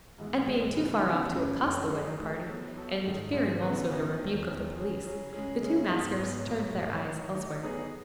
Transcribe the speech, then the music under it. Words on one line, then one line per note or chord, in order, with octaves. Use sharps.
And, being too far off to accost the wedding party, and fearing also, the rebuke of the police, the two maskers turned their eyes elsewhere.
G#2 E3 G#3 B3
G#2 E3 G#3 B3
C#3 E3 B3 F#4
C#3 E3 B3 F#4
F#2 C#3 F#3 A3
F#2 C#3 F#3 A3
F#3 A3 D#4 G#4
F#3 A3 D#4 G#4
F#3 B3 F#4 A4
F#3 B3 F#4 A4
G#2 D#3 G#3
G#2 D#3 G#3
C#3 E3 B3 F#4 B4
C#3 E3 B3 F#4 B4
E2 D#3 F#3
E2 D#3 F#3
C#3 F#3 C#4 G#4
C#3 F#3 C#4 G#4
C#3 G#3 C#4 G#4
C#3 G#3 C#4 G#4
G#2 F#3 B3 F#4
G#2 F#3 B3 F#4
A2 F#3 B3 F#4
A2 F#3 B3 F#4
D#3 F#3 A3 D#4 F#4
D#3 F#3 A3 D#4 F#4
F#3 B3 D#4 G#4 B4